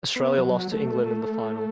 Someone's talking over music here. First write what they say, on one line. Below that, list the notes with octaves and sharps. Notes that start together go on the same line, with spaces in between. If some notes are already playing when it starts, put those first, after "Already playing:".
Australia lost to England in the final.
B3
F#3
A3
A3